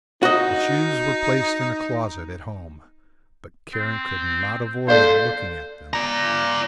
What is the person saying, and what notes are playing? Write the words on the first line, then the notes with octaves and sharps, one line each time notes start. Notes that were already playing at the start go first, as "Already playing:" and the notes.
The shoes were placed in a closet at home, but Karen could not avoid looking at them.
D#4 F#4 D#5
C4
A4 C5 D5 F5
D5 A#5